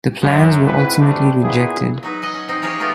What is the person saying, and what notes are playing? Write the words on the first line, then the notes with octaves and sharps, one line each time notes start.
The plans were ultimately rejected.
F#2
G#2 C4 E4 B4
G#1 G3 A3 C4 D4
A#2 B3 E4 G#4
F#3 D#4 B4
D#5 F#5 G#5
C#4
C4 D#4
C#4 G4 G#4 A#4 C#5 F5
A3 B3 F4 G4 A#4